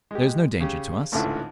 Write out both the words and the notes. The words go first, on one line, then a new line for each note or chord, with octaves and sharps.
There is no danger to us.
G#3 G4
C#3 G4
G#1 C#2 A2 D3 F4 E5